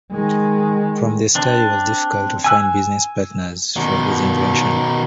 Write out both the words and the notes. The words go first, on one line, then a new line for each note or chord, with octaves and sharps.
From the start it was difficult to find business partners for his invention.
D#3 G#3
C4 D4
G#5 E6 F#6
B2 D#3